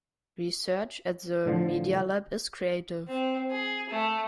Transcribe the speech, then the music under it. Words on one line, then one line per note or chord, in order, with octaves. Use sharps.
Research at the Media Lab is creative.
A2 D3 F3
C4
G#4
A3